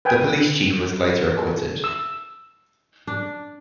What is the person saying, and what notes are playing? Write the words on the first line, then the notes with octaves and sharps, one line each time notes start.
The police chief was later acquitted.
B4 G5 G#5
E6
D4